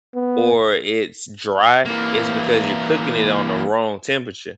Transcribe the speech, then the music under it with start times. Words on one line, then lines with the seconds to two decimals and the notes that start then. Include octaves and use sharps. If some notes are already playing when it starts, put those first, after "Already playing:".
or it's dry, it's because you're cooking it on the wrong temperature.
0.15 B3
1.85 E3 A#3